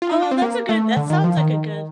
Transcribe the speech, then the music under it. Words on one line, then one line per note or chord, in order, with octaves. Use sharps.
Oh, that's a good that sounds like a good
F4
D#4
D4
C4
A#3
A3
D3
D#3
F3
D#3